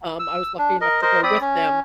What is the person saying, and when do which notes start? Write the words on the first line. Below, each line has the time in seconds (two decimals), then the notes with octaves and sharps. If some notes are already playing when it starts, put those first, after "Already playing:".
um, I was lucky enough to go with them,
0.19 E6
0.58 D4
0.81 A#4 D#5
1.02 A#4 C5 D#5
1.23 C4 D5 B5 D#6
1.41 C#4